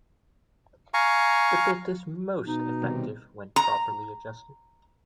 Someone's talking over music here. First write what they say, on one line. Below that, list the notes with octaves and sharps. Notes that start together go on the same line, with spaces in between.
The bit is most effective when properly adjusted.
F5 G#5 A#5 C#6
B2 D#4
C3 D#3 G3
A#5